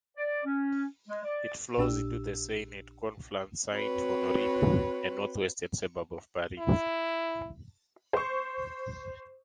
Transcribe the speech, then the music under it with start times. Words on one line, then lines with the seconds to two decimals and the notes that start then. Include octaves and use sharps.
It flows into the Seine at Conflans-Sainte-Honorine, a north-western suburb of Paris.
0.17 D5
0.45 C#4
1.08 G#3
1.24 D5
1.78 A#1 A#2 D4 G4 E6
3.73 C4 F#4 B4 C#5
6.59 E4
8.13 C5 C#6